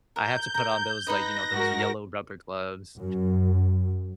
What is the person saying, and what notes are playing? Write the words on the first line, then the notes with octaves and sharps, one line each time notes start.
I have to put on those like, you know, those yellow rubber gloves
A#4 G6
A#4 A#5
D#4 B4 D#5 A#6
G#2 F#4 A#4
F#2